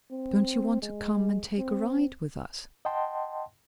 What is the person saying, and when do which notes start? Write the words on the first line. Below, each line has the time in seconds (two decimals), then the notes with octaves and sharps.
"Don't you want to come and take a ride with us?"
0.11 C4
0.82 G#3
1.58 C4
2.85 D#5 F#5 G5 A5 C6